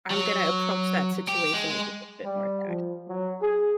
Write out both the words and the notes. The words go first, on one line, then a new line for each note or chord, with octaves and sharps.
I'm gonna approach that situation, I think, a bit more tact
F#3
G4
G#3
G3
F3
F#3
G#4